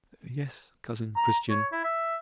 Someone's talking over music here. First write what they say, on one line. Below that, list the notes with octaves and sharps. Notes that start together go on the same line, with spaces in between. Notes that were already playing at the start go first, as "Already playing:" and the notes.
"Yes, Cousin Christian."
A#5
C#5
E4
E5